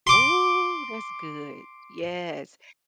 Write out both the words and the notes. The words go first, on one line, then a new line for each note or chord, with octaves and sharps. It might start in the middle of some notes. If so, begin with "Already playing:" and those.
Ooh, that's good, yes.
C6 D6